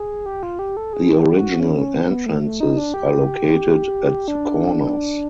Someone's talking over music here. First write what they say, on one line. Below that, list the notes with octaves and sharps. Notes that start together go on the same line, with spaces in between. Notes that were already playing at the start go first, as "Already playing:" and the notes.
The original entrances are located at the corners.
Already playing: G#4
G4
F4
G4
A4
G#4
G4
F#4
C#4
C#4
C4
B3
A3
A3
D#4
D4
G4
D4